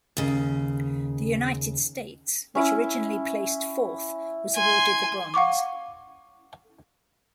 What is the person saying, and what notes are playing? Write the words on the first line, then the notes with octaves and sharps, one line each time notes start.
The United States, which originally placed fourth, was awarded the bronze.
D#2 C#3
C#4 E4
G#5 C6
F5 F#5 C#6 D6